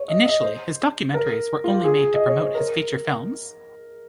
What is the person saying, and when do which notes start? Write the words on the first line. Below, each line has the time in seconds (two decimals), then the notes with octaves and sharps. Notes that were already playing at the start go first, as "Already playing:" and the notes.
Initially, his documentaries were only made to promote his feature films.
Already playing: C#5
0.08 D#5
0.26 D#5
0.43 C5
1.14 A#4
1.64 F4
1.74 G4
1.84 G#4
2.14 D#5
2.27 C#5
2.41 C5
2.55 A#4